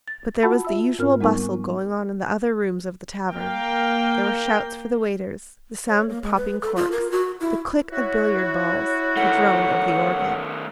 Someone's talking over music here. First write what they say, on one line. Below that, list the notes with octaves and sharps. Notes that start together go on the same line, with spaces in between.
But there was the usual bustle going on in the other rooms of the tavern; there were shouts for the waiters, the sound of popping corks, the click of billiard balls, the drone of the organ.
A6
F4 F#4 F#5 A5 B5 E6
F4 E5 E6
G#2 C4 F4 A#4 F6
G3 B3 D#4 A#4 G#5 C#6
A#3 A#4 F5 G5
C#5
A#3
G#3
B4
A4
F4
A#4
F#4
E4
E4 F#4 C#5
D#3 A3 F#5